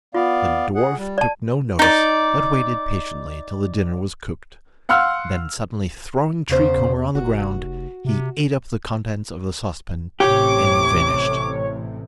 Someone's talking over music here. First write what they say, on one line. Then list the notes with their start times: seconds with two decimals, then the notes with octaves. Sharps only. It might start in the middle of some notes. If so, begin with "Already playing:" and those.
The dwarf took no notice, but waited patiently till the dinner was cooked, then suddenly throwing Tree Comber on the ground, he ate up the contents of the saucepan and vanished.
0.14 B3 F4 D5 F5
0.75 G#4 F#5
0.97 G3
1.18 D5 A5
1.79 D#4 D5
4.89 F5 F#5 C6 E6 F6
6.50 E2 C#3 C5
7.15 F1 F#4
8.05 C3
10.20 A1 A2 C3 G4 C#5 D6